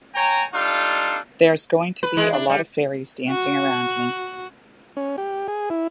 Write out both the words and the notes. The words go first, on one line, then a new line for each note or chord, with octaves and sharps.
There's going to be a lot of fairies dancing around me.
C#5 G5 G#5 A#5
G3 D4 D#4 F4 A4 F5
B4
E3 G#3
D4
G3
F#4
C#4
G4
G#4
E4